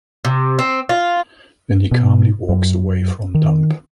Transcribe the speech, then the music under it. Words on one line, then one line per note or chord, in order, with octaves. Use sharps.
Then he calmly walks away from dump.
C3
C4
F4
B2
F#2
D#3